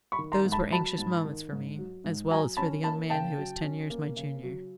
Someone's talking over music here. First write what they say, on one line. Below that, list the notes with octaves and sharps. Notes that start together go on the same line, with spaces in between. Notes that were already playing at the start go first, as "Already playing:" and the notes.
Those were anxious moments for me, as well as for the young man who was ten years my junior.
B5 C#6
D#3
A#5 C6
G#2
A5 B5
F#3 A5 B5
G#2
D#3
G#2
F#3
G#2
F#3 G#5 A#5
C#4 A5 B5
A#3 A5 B5
C#3 G5 A5
F#3
C#4
A#3
C#3
F#3